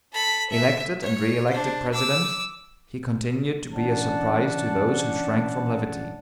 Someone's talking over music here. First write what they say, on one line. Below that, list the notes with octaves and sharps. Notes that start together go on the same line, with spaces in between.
Elected and re-elected President, he continued to be a surprise to those who shrank from levity.
A4 B5
E5
C#5
D4 C5
D6 E6
E3 C#4 D4 F#5 A5